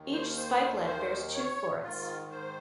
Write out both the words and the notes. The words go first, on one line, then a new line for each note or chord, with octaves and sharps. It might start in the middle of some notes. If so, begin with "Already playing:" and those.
Each spikelet bears two florets.
Already playing: D#2 D#3
C5
C5
C5
C#5
G#2 D#3 F4
C5